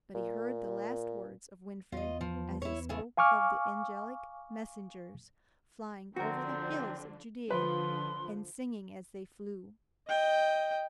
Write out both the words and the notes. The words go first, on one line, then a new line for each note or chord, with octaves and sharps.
But he heard the last words of Winfried as he spoke of the angelic messengers, flying over the hills of Judea and singing as they flew.
A#2
E2 B3 F4 D#5
F3
E4 C#5
C#3 E3 A3
F5 G#5 C#6 D6 F6
D3 F3 C4 D4 F#4 A#4
D3 F3 B4 C6
D#5 G5